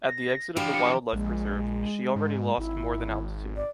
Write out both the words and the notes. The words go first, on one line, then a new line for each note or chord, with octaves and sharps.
At the exit of the wildlife preserve, she already lost more than altitude.
A#6
E3 F3 D4 G4 F5
C#7
A#1 G#3
G#2
G#1 E4
D5